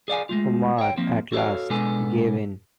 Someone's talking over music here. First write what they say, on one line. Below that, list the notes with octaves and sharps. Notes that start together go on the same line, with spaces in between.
Umar at last gave in.
G#4 D5 F5 G#5
G#3 A3 F4
C#5 G5
F3 A#3 C4
F#4 A4 B4 C#5 F5
B2 G#3 B3 D4 A4 G#5